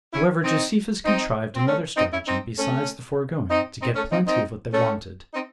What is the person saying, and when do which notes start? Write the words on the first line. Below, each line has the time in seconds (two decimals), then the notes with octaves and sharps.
However, Josephus contrived another stratagem besides the foregoing, to get plenty of what they wanted.
0.13 C#4 E4
0.44 C4 D#4
1.05 C4 D#4
1.55 C4
1.66 A3 C#4
1.96 C4 D#4
2.12 C#4 E4
2.27 C4 D#4
2.59 A3 C#4
3.50 C4 D#4
3.81 C4 D#4
3.95 A3 C#4
4.11 C4 D#4
4.26 C4 D#4
4.72 A3 C#4
5.33 C4 D#4